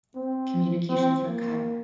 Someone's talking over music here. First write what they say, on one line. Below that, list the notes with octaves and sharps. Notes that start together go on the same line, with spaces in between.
Communications were cut.
C4
C4
A#3